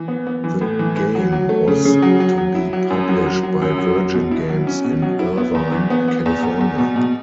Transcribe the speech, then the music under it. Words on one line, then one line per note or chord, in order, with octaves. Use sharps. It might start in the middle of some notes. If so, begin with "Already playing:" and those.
The game was to be published by Virgin Games in Irvine, California.
Already playing: E3
B3
B3
E3
A2
E3
E3
F#3
F#3
A3
C#3
C#3
F#3
F#3
F#3
E4
F#3
F#2
F#3
F#3
F#3
F#2
F#3
F#3
B2
E4
F#3
C#4
B2
F#3
E4
B3
E2
E3
B3
B3
E2
E2
E2
B2
B2